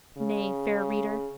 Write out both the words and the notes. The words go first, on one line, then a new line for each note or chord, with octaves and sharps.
Nay, fair reader.
C#3